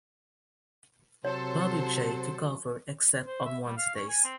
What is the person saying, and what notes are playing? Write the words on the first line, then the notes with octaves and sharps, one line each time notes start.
Bobby Jay took over except on Wednesdays.
C3 F#3 A4 C5 C#5
C5
E5
G3
F5
C#4
G#5
C4